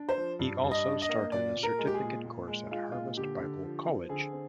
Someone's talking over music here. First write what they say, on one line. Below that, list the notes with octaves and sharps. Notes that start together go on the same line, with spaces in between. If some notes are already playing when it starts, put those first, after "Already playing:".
He also started a certificate course at Harvest Bible College.
Already playing: D4
C5
F3
G2
G2
D#5
D4
D#5
A#3
A#2 D5
A#2
A#4
G#3
G4
G#4
A#2
A#2
G#3
G#3 F4
A#2 F4
D3 G4
D3
F3
C4
D3 G#4
C4